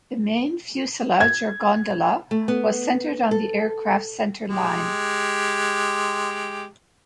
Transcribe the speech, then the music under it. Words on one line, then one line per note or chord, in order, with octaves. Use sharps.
The main fuselage, or gondola, was centered on the aircraft's centerline.
G#6
A3
B3
A4
G#3 G4